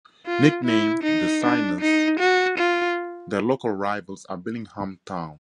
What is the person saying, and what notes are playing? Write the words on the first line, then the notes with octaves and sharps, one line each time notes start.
Nicknamed "the Synners", their local rivals are Billingham Town.
F4
E4
D#4
D4
D#4
F#4
F4